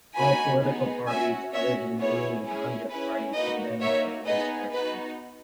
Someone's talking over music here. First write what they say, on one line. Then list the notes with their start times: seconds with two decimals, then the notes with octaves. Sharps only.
All political parties, other than the ruling Congress Party, condemned the police action.
0.16 A#3 D#4 F#4 G#5 B5
0.62 B3 D#4 G#4
1.07 C#4 F#4 E5 G#5
1.53 C#4 F#4 C#5 E5
1.99 B3 E4 G#4 C#5
2.44 C#4 E4 G#4
2.89 C#4 E4 G#4 B4
3.35 A#3 D#4 F#4 B4 D#5
3.81 A#3 D#4 F#4 C#5 E5
4.26 B3 D#4 G#4 B4 D#5
4.72 B3 D#4 F#4 B4